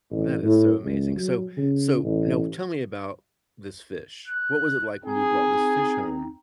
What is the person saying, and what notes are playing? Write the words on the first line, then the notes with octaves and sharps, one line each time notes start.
That is so amazing. So so now tell me about this fish. What was it like when you brought this fish home?
A1
A2
C#2
F#3
C#3
A1
F#6
C4 D#4 G#4